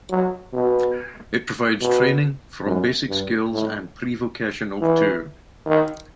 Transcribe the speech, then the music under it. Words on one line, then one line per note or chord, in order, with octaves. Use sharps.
It provides training, from basic skills and prevocational to.
F#3
B2
B2
F#2
G2
A2
E3
D#3